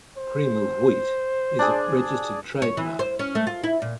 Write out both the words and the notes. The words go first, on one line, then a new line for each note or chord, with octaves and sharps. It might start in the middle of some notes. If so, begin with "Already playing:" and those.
"Cream of Wheat" is a registered trademark.
C5
D4 G#4
C#5
E3
C5
C#4
A3
F4
E4
A#2